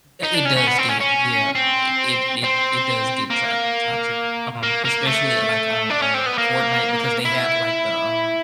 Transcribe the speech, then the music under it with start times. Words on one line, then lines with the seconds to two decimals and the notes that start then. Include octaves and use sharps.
Eh, it does get yeah, eh, it it it does get to toxic, um, especially, like, on, uh, Fortnite because they have, like, the, um
0.24 D#4
0.35 D4
0.46 C#4
0.57 C#4
0.68 B3
0.79 C4
0.89 C#4
1.01 C#4
1.55 C4
2.44 C4
3.30 A#3
4.63 A#3
4.85 A#3
5.07 A3
5.90 D4
6.02 C#4
6.14 C4
6.26 B3
6.38 A#3
7.25 E4